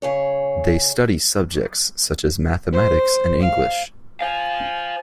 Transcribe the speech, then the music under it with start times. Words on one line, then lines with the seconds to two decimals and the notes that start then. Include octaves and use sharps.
They study subjects such as mathematics and English.
0.02 C#3 G#4 C#5
2.73 C5
3.42 F5
4.21 C5 F5 G#5